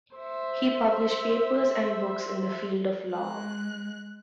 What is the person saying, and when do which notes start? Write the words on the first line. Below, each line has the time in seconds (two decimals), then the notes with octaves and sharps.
He published papers and books in the field of law.
0.16 C5 E5
3.11 G#3 F#6